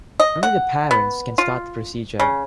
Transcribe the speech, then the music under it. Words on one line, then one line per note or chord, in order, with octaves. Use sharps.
Only the parents can start the procedure.
D#5
F#5
B3
F4
C#3